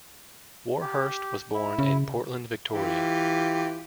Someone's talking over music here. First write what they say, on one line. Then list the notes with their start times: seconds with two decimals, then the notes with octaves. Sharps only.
Warhurst was born in Portland, Victoria.
0.81 G4
1.54 E4
1.79 C#3
2.74 E3 F4 G4